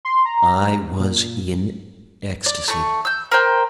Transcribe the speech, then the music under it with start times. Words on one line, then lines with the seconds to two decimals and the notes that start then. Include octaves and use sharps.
I was in ecstacy.
0.05 C6
0.26 A#5
1.00 A#2
2.46 D5
2.68 A3 C#6
3.05 E6 G6
3.32 A#4 C5 G5